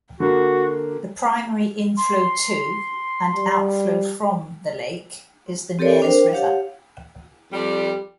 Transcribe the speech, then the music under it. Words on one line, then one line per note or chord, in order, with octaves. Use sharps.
The primary inflow to and outflow from the lake is the Nares River.
D3 A#3 F#4
C6
G3
C4 G4 A4 A#4 C#5 D5
D4 A#4 C5 G5
G4 C#5 F5 F#5
F2 G3